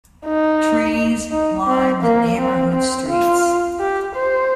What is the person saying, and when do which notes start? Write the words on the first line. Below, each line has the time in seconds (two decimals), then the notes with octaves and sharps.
Trees line the neighborhood streets.
0.26 D#4
1.32 D#4
1.67 C4
2.03 A#3
2.38 C4
2.74 C4
3.09 F4
3.80 G4
4.15 C5